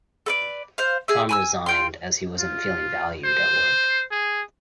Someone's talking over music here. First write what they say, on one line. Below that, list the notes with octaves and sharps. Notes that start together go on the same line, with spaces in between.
Tom resigned, as he wasn't feeling valued at work.
A4 B4 D5
C5 F5
G#4 E5
G#5 B5 E6
F4 G5 C6
F4
C5
G#4